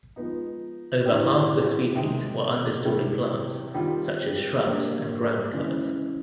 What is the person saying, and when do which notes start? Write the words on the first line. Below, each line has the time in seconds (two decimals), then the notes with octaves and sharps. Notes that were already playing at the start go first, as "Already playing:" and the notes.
Over half the species were understory plants such as shrubs and ground covers.
0.16 F3 G#3 B3 D#4
1.06 A2 E3 A3 D4 G4
1.95 C3 D#3 G#3 C4
2.85 C3 E3 G3
3.74 D#3 G3 C4 F4
4.64 F#3 A#3 D4 G4
5.53 C#3 E3 G#3